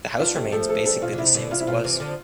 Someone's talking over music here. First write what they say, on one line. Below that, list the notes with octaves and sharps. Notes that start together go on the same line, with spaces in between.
The house remains basically the same as it was.
B3 D4 F4
A3 C4 G4
F3 A3 A4
A4
E3 G3 A4
B2 F4
D3
C3 E4
B2 D3
C3 F4
E4
B2 F4
C3 E3
D3 F3